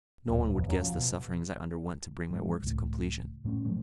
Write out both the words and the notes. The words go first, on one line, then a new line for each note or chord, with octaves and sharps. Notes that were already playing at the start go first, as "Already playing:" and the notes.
No one would guess the sufferings I underwent to bring my work to completion.
D1 A2
F1 D#2 B2
D#2 F#3 C#4
F3
B2
G#2 F3
C#2 A2
A2 A3 C4 C#4
A#2 F3 F#3 A3